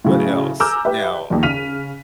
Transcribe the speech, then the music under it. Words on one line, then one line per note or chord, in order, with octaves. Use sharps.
what else? Now,
A2 C#3 F#3
G#5 A#5 D6 E6 F6 G6
G4 B4 E5
A#1 D#2
C#3 F6 B6 D#7 F7